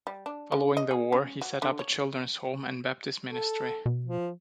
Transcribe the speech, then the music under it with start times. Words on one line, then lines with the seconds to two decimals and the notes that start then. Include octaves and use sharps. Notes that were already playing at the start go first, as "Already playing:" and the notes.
Following the war he set up a children's home and Baptist ministry.
0.07 G3
0.26 D4
0.52 D3
0.77 D#5
0.91 G#4
1.12 C#4
1.41 F#4
1.62 D3
1.79 C#5
3.28 A4
3.86 B2
4.06 F3